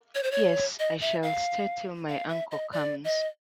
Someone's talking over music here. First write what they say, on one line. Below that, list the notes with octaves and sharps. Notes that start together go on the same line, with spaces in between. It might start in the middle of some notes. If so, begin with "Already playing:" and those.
Yes, I shall stay till my uncle comes.
C#5
C5
C#5
D#5
E5
F5
F5
E5
D#5
D5
D#5